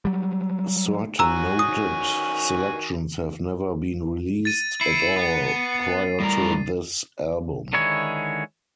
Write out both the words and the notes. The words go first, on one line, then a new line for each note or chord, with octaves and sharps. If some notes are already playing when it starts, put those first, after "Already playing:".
Certain noted selections have never been released at all prior to this album.
F#3 G3
D#3 F#4 G#5 A#5 E6
D#6
A6 D#7
E4 C7 C#7
B3
A2 G3 A#4
D3 D#3 G#3 E4 C#5